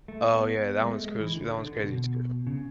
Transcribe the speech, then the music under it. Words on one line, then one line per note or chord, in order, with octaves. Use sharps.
Oh yeah, that one's cruz that one's crazy too.
A3
B3
B3
G#3
A3
G#3
E3
D3
D3
D3
B2
C#3